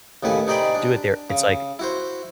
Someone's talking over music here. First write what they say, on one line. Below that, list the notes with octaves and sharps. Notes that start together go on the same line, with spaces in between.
do it there, it's like,
D#2 A2 C#3 B4 G#5
C3 D#4 G#4 D5 G5 B5
D4
C#3
E4 F#4 C5